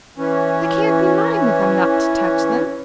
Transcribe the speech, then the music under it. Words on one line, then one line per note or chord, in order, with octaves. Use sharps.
"They can't be mine, if I'm not to touch them."
E3 C#4